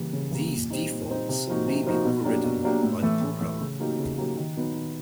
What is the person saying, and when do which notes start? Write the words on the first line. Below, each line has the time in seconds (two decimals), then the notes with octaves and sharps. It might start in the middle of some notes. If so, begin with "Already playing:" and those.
These defaults may be overridden by the programmer.
Already playing: C#3 E3 G3 A#3
0.13 C#3
0.31 E3 G3 A#3
0.52 A#2
0.70 G3 C4 D#4
0.89 A#2
1.09 G3 C4 D#4
1.29 C3
1.47 F3 A#3 D#4 F#4
1.68 C3
1.86 F3 A#3 D#4 F#4
2.05 B2
2.24 F#3 A#3 D4 G4
2.44 B2
2.63 F#3 A#3 D4 G4
2.83 A2
3.02 E3 A3
3.21 A2
3.41 E3 A3
3.61 C#3
3.80 F#3 A#3 D#4 G4
3.99 C#3
4.18 F#3 A#3 D#4 G4
4.37 D#3
4.56 F#3 B3 D#4
4.75 D#3